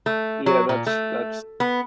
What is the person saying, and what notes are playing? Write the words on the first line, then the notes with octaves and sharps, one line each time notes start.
Yeah, that's that's
A3
F#3
A#2
A3
B3